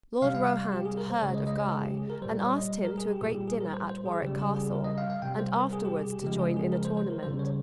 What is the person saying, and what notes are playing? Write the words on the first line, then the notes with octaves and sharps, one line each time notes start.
Lord Rohand heard of Guy and asked him to a great dinner at Warwick Castle and afterwards to join in a tournament.
C3 G3 F5
F5
F5
F5
G4
G#4
A#4
C5
C#3 G#3 C#5
D#5
D#5
C#5
G#4
G4
G#4
A#4
A#2 G3 C5
C#5
D#5
A#4
G#4
G4
A#2 G3 G#4
G4
G#4
A#4
C5
C5
G#4
C#3 G3 G4
G4
G#4
A#4
D#5
F5
F5
C3 G3 G5
C5
A#4
G#4
G4
G#4
G4
C#3 F3 G#3 G4
G#4
G#4
A#4
C5
C5
A#4
C#3 G3 C5
C#5